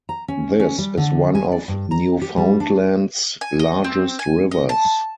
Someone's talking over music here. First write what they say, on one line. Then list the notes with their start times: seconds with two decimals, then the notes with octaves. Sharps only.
This is one of Newfoundland's largest rivers.
0.09 A#5
0.28 C#4
0.60 C#4
0.78 G3
0.97 D3
1.35 G#5
1.52 D5
1.68 G2
1.91 A#5
2.21 G4
2.38 G3
2.60 D4
3.41 G#5
3.59 D#5
3.84 C4
4.19 G#5
4.51 D#5
4.69 A5